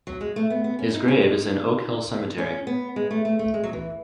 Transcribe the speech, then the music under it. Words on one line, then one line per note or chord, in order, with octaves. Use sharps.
His grave is in Oak Hill Cemetery.
F#3
G#3
A3
B3
B3
C#4
D#4
C#4
D#4
C#4
B3
G#3
A3
A3
A3
G#3
F#3
E3